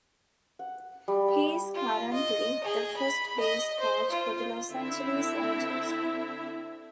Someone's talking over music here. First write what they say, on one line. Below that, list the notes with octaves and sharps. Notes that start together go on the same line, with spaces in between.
He is currently the first base coach for the Los Angeles Angels.
F#5
G3
G5
F4
D#5
G#4
B5
D#5
C5
F4
D3 C4 E4 E5